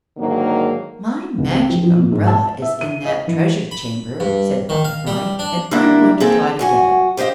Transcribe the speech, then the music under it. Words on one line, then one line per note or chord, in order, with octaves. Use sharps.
"My Magic Umbrella is in that Treasure Chamber," said Button-Bright, "and I'm going to try to get it."
G#2 D3 D#3 F#3 A#3
C#2
C4
F3
F3
A#2
G#2
A5
E5
D#7
D#5
E3
B5
G2
D#3
F5
G3
D4
D3 G3 A#3 D4 E4 A#4
A#3 C4 D#4 G#4 A4
F#2 F#4 G#5
G4 C5 D5 D#5 F5